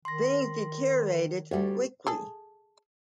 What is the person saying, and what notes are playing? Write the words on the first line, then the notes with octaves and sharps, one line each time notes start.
Things deteriorated quickly.
D#3 C6 A#6
D2 G3 G4 C#5
G#4 A4